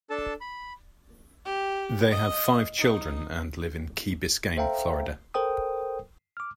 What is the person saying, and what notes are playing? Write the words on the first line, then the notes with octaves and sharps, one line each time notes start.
They have five children and live in Key Biscayne, Florida.
D4 A4 A5
B5
G4
D#5
D#4
A4 C5 E5 F5 G5 A#5
A4 A#4 C5 G5 D#6
D6 F6